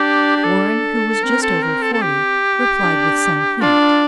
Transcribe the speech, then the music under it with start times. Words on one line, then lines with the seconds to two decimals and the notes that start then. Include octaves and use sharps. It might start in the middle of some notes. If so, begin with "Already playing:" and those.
Warren, who was just over forty, replied with some heat.
Already playing: D4 G4
0.37 G4
0.44 A4
1.23 C4 A#4
1.42 A4
1.62 A#4
1.82 A4
1.94 A4
2.02 G4
2.81 D4
3.61 D4 F4
3.81 F4